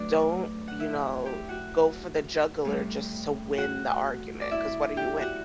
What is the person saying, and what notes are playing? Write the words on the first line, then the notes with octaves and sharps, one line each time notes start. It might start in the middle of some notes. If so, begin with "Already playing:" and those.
Don't, you know, go for the jugular just to win the argument, 'cause what are you winning?"
Already playing: F#3 A3 D4 B4 D5
F#5
E4 E5
G4 G5
F#4 F#5
A2 G3
F#4 F#5
D5
E4 E5
G4 G5
F#4 F#5